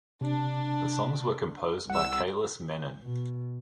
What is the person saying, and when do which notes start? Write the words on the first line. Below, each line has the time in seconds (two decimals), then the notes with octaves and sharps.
The songs were composed by Kailas Menon.
0.21 C3 D4
1.90 C2 F#5 E6
3.02 B2